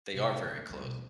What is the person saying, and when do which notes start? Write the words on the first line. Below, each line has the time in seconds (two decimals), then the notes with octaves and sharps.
they are very close.
0.14 C3
0.43 C#3 E4
0.57 A3
0.69 C#2 G3
0.82 B2
0.95 F3 B3